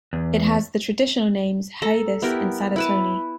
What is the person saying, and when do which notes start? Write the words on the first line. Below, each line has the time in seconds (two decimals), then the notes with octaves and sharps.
It has the traditional names Haedus and Sadatoni.
0.13 E2
1.82 A4 A#5
2.22 B3 E4 G4 A#4
2.76 E4 B4 A5